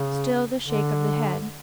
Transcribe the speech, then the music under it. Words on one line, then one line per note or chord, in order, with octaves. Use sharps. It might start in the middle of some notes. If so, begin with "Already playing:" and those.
Still the shake of the head.
Already playing: C#3
D3